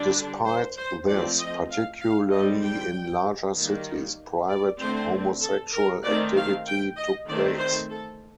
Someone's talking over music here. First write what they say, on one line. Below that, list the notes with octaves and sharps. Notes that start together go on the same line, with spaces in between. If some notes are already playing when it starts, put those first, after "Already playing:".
Despite this, particularly in larger cities, private homosexual activity took place.
Already playing: D3 G3 D4
C5
C5
F3 A3 C4 D5
D#5
F5
F5
D3 G3 C4 D#5
G5
D#3 G3 A#3
D5
D3 A3 C4 C5
A4
A#4
D#3 A3 C4 D5
F5
G5
D#5
D#3 A3 C4 D5
C5
A4